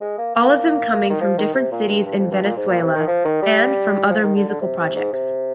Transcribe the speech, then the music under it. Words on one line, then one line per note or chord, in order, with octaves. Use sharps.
All of them coming from different cities in Venezuela and from other musical projects.
G#3
A#3
A#3
D#3
F3
D#3
C3
A#2
G2
G2
F2
G2
A#2
G#2
A#2
C3
D#3
F3
D#3
G3
F3
D#3
D3
D3
C3
C3
G#2
C3